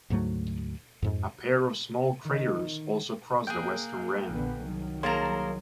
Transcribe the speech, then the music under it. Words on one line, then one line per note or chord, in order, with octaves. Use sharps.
A pair of small craters also cross the western rim.
D2 G#2 F#3 A3
F2 G#2
D#3
A#3 G#4 G5 F#6 G6
A#1 D3 B3
C2 D#3 F#3
A#3 G#4 A#4 C#5 A5 A#5 C6